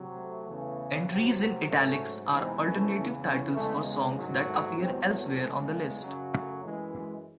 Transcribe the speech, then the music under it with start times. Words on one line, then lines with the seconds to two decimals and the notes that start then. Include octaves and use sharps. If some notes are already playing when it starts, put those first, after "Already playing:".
Entries in "italics" are alternative titles for songs that appear elsewhere on the list.
Already playing: C3 F#3
0.16 A3
0.47 E2 C#3 E3
1.08 C3 F#3
1.69 G#2 F#3 A3 C#4
2.32 E2 C3 E3 G#3 C4 D#4
2.62 A3 C#4
2.93 E2 C#3 E3
3.24 A3 C#4
3.55 E2 C#3 G#3 A3
3.86 G#3
4.16 G#2 D#3 F#3
4.47 A3
4.78 E2 C3 F#3 G#3 C4
5.09 A3
5.39 E2 C#3 G#3
6.01 F#2 C#3 F#3
6.32 A3
6.63 F#2 E3 G#3
6.93 G#3